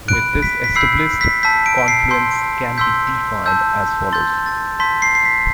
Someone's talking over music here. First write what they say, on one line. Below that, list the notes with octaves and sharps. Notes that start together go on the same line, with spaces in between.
With this established, confluence can be defined as follows.
B5 F#6 D7
B6
B6
B5 E6 G6 C7
B6
A5 E6 G6 B6
D7
D7
C7
A5 C6 E6 G6 C7
C6 E6 G6 B6
A5 E6 G6
C6 G6 A6
A6
A5 C6 G6 B6
C7
C7
B6